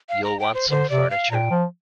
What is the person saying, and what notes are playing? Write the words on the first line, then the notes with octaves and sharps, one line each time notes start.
You’ll want some furniture.
F5
A#5
G5
C5
D3 C5
C3 D5
F5
A#2 G5 A#5
F3